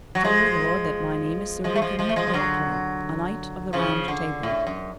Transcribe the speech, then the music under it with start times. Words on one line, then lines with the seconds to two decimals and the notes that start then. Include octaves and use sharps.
Tell your lord that my name is Sir Lucan, the butler, a Knight of the Round Table.
0.15 F#3
0.24 F3 G#3
1.64 F3 G#3
1.76 A3
1.82 F3 G#3
1.99 F3 G#3
2.09 A3
2.16 F3 G#3
2.27 F3
2.33 D3 F#3
3.73 C#3 F3
4.08 D3
4.43 A2
4.67 F#2